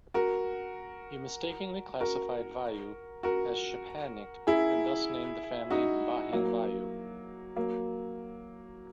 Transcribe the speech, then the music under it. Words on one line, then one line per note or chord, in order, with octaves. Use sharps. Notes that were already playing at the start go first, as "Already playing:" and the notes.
He mistakenly classified Vayu as Chepangic and thus named the family Bahing-Vayu.
F#4 A#4
F#4 A#4
F#4 A#4
E4 G#4
D#4 F#4
F#3 A#3
F#3 A#3